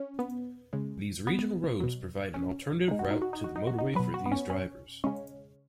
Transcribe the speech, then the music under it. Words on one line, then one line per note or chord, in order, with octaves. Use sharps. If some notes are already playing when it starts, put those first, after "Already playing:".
These regional roads provide an alternative route to the motorway for these drivers.
Already playing: C#4
B3
C#3 G#3
B3
B2 F#3
C#4
B2 G#3 D#4
F#4
D#4
F#4
D#4
F#4
D#4
F#4
D#4
B2 F#3 B4
F#4
B3
C#4
C#4
C#3 G#3 C#4